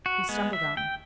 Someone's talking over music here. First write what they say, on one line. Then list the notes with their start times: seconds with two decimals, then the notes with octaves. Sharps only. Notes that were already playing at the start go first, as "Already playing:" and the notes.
He stumbled on.
0.06 F#4
0.29 G#3 B3
0.53 E5
0.77 G5